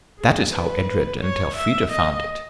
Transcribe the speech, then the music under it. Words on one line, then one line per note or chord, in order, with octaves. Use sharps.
That is how Edred and Elfrida found it.
G#4
B4
C#5
E5
D#5